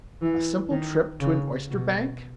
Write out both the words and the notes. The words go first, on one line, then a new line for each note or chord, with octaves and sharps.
"A simple trip to an oysterbank?"
E3
D#3
C#3
B2